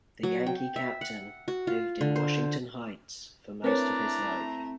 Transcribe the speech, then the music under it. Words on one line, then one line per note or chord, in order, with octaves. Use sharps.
The Yankee captain lived in Washington Heights for most of his life.
F#3
G5
E5
F#5
F#4
F4
D3
C5
A3 C4 D4 E4 A#4 B4 C#5 A#5